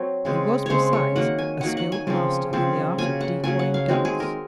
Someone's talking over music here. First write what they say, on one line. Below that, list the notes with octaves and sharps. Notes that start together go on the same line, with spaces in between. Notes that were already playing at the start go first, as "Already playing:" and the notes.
He was, besides, a skilled master in the art of decoying ducks.
Already playing: F#3 C4 C#5
C#3 G#3 C4
C#3 G#3 C4 C5 C#5
C#5
D#3 F#3 A#3 F#5
G#5
D#3 F#3 A#3 F#5
F#5
G#5
C#3 F3 C4
C#3 F3 C4
C#3 F#3 A#3 G#5
F#5
C#3 F#3 A#3 G#5
F#5
F5
D#3 G#3 C4 F#4
G#4
A#4